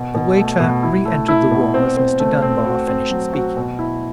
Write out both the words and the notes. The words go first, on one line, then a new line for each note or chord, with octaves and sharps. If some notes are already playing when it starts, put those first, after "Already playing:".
The waiter re-entered the room as Mr. Dunbar finished speaking.
Already playing: B2
B2
A3
B2
E4
A3
E4
B2
C4
C4
A3
C4
F#4
C4
F#3
F#4
B2
E4